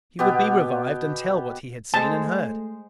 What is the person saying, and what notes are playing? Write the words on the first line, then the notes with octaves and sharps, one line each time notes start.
He would be revived and tell what he had seen and heard.
B2 B3 G4
G#3 A3 C5 A5